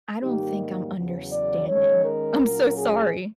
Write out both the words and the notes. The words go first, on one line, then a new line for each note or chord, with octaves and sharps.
I don't think I'm understanding. I'm so sorry.
G#2 D#3 G3 A#3 D#4 G4
E2 C#3 F#3
D5
D#3 G#3 C#4 C#5
A#4
A#2 F#3 A#3 C#4
G#4